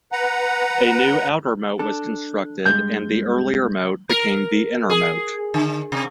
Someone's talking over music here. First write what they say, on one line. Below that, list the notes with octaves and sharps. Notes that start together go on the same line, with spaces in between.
A new outer moat was constructed, and the earlier moat became the inner moat.
B4 F#5 A#5
D4 A4
G2 G#3 G6
A#4
G#4
D3
C3